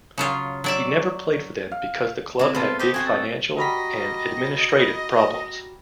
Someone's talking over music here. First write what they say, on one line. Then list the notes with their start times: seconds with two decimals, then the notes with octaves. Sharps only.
He never played for them because the club had big financial and administrative problems.
0.18 C#3 F#3 F4
0.64 F#3 D5 E5
1.72 F5
2.39 C3 E4
2.55 B3 F4 A4
2.79 G4 C5 D#5
2.94 C4 F#4 G#5 C6
3.06 A4
3.59 G3 F#4 D#5 A#5 A#6 B6